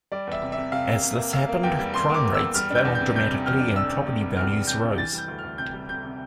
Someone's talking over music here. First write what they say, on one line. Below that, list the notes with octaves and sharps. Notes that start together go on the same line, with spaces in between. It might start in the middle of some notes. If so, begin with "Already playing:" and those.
As this happened, crime rates fell dramatically and property values rose.
G3 D5
E2 E5
C3
C3 E5
C3 F5
A#3
C3
A#3
A#3 F5
A#3
E2 G5
G3
E2 C6
A#3
D6
E2
E6
E2
G3 F6
D4 G6
E2
G6
C3
G3 G6
C3
E2 F6
D4
D4 E6
C3
C3
G3
E2 F6
G3
C3 G6
D4
E3 A6
G3
G6
D2
D2 F6
C3 G6
G3
C3 G6
C3